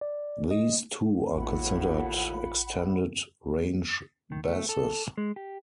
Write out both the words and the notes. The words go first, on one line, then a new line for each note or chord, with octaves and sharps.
These too are considered extended-range basses.
D5
D#5
A1 D#2 A2 F4 F#5 B5
D#3
A3
A4
G#3
G4